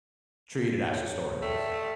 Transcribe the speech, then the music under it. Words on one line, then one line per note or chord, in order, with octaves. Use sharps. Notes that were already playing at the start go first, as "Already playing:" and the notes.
treated as historians.
G#4 C#5
A3 A4 D5 G5